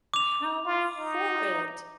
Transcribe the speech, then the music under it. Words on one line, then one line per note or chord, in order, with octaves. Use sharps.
How horrid.
D6 F7
F4
D#4